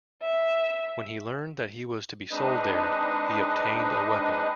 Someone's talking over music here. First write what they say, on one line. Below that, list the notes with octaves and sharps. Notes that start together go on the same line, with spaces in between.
When he learned that he was to be sold there, he obtained a weapon.
E5
G#3 C4 D4 D#4 B4 D#5